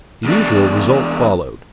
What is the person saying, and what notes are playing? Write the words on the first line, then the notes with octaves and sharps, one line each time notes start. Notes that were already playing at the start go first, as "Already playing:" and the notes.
The usual result followed.
E2 D4